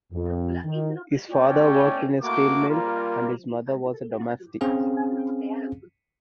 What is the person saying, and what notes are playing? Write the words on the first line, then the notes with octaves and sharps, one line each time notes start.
His father worked in a steel mill and his mother was a domestic.
F2
D#3
A3 C#4 C#5 D5 G5
A3 A#3 F#4 D6
G3 A#3 F4 A#4
C4 C#4 G#4 F5